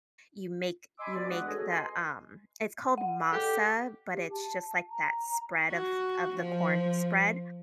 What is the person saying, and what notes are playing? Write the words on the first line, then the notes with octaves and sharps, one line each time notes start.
you make you make the, um it's called masa, but it's just, like, that spread of of the corn spread
D#5 G#5 B5 C6 D6 E6
G2 B3 F#4 D5
E2 G#3 D4 B4 F#5 D#6
C#4 F#4 G#4 A4 D#5 G#5
B4 D#5 G#5 C6
F#5
G4 A4
G4
A5
A#5
F#4
F3